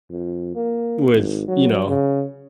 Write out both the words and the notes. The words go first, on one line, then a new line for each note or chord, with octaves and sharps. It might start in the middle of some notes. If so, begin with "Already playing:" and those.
with, you know
F2
A#3
G#1
F#3
C#3